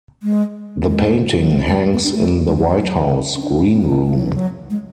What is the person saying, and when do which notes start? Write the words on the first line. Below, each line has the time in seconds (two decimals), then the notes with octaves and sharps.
The painting hangs in the White House Green Room.
0.23 G#3
0.87 G#3
1.39 F#3
1.51 G#3
1.67 G#3
1.93 B3
2.04 D4
2.14 A3
2.47 G#3
2.57 F#3
2.68 E3
2.78 F#3
3.36 C#4
3.42 D4
3.58 C#4
3.75 B3
3.82 G#3
3.90 A3
4.06 G#3
4.16 F#3
4.25 E3
4.35 F#3
4.70 G#3